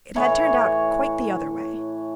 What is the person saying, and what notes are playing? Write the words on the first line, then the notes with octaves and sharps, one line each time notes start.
It had turned out quite the other way.
A2 E3 C#5 C#6